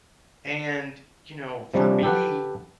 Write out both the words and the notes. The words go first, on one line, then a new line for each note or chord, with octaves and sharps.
and, you know, for me,
C3 F3 G3 A#3 C#4 D4
G4 A4 B4 F#5